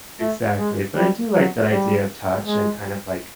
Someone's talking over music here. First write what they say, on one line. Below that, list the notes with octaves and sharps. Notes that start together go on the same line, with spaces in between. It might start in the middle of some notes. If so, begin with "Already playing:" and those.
Exactly, but I do like that idea of touch and kind of, like,
A3
G#3
G3
F#3
G3
G#3